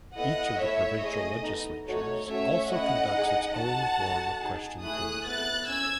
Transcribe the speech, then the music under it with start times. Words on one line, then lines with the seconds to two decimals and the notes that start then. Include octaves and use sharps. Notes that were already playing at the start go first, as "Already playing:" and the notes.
Each of the provincial legislatures also conducts its own form of question period.
0.16 B3 E4 A4 D#5 F#5
0.58 A3 E4 A4 C#5 E5
1.00 A3 E4 G#4 D#5
1.43 B3 D#4 A4
1.86 A3 D#4 F#4 A4 C#5
2.28 A3 C#4 F#4 C#5 E5
2.70 A3 C#4 E4 D#5 F#5
3.13 D#4 G#4
3.55 D#4 F#4 A4 F#5 A5
3.98 D#4 F#4 A4
4.40 D#4 G#4
4.82 A3 E4 G#4 D#6 F#6
5.24 B3 E4 A4 F#6 A6
5.67 C#4 E6 G#6